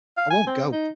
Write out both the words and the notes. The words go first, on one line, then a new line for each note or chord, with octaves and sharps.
I won't go!
F5
G#5
C4
D#4